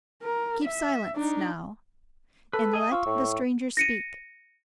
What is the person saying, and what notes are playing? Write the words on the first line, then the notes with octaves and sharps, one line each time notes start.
Keep silence now, and let the stranger speak.
A#4
E5
D4 D#4
A4 B4
G#4 D#5
F4 C#6 E6
A2
A#6 C#7 D#7